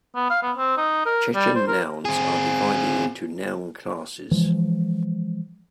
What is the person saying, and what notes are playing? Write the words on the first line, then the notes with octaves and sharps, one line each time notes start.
Chechen nouns are divided into noun classes.
B3
F5
B3
C4
D#4
A#4
G3
C5
A#4
C4 G#4
E3 F3 G#3